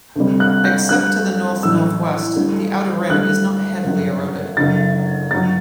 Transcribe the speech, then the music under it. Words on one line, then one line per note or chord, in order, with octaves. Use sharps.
Except to the north-northwest, the outer rim is not heavily eroded.
D2 C3 G3
F#6
G6
D2 D3 G3 F#6
A1 A2 F#3 E6
D2 D3 G3
D2 D3 G3 F#6
G1 F#2 D3 F#3
F#1 F#2 D3 F#3 A6
G1 G2 F#3 A6